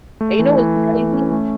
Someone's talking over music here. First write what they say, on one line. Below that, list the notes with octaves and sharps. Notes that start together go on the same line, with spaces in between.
And you know what's crazy?
A3
E3
E3
A3
E3
C#4
A3